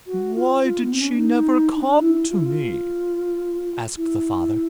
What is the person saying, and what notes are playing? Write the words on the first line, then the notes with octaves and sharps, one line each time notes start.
"Why did she never come to me?" asked the father.
F#4
F4
F4
B3
C4
C#4
D4
D#4
D#4
D4
E4
F4
E4
F4
E4